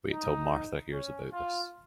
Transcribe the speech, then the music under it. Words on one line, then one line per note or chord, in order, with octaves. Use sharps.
Wait till Martha hears about this.
D#4
C#4
F4